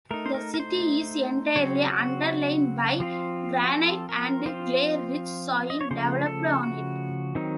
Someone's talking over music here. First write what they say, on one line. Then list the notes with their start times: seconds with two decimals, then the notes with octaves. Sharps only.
The city is entirely underlain by granite, and clay-rich soil developed on it.
0.11 A3 D#4 A#4
0.26 C5
0.34 A#4
0.54 A#4
0.60 C5
1.56 C#3 F#3 C4 C#5
1.87 A4
1.92 F#4
3.00 F3 C4 F4
3.64 F#4
3.74 A4
4.09 A#4
4.46 F3 C4 F4 C5
5.70 D#5
5.81 C#5
5.91 C#3 F3 A3 C5
6.26 A4
6.63 F#4
7.35 D#3 F#3 C4 D#4